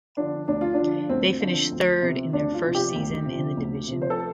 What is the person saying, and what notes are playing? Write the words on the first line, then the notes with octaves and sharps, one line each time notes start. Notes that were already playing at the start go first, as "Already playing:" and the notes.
They finished third in their first season in the division.
D3 F3 D4
D2 D4
F4
D4
D3 F3
D2 C4
D3 F3
D2
C3 F3
D2 D4
F4
C3 F3
G4
D2
C3 F3
D2
C3 F3
C5
A4